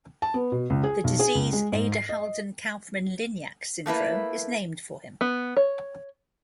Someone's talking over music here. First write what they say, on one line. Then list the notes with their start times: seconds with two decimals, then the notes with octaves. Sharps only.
The disease Abderhalden-Kaufmann-Lignac syndrome is named for him.
0.22 A5
0.34 B3
0.52 B2
0.70 C#2
0.84 G#4
1.04 B1
1.19 G#4
1.35 C#2
1.53 G#3
1.72 G#2
1.92 C7
2.09 D#5
3.86 A3 A#3 E4 B4
5.21 B3
5.56 C#5